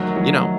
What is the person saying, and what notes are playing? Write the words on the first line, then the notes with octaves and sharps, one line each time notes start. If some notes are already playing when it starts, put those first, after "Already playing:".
you know,
Already playing: D#3 F3 F#3 A3
F#3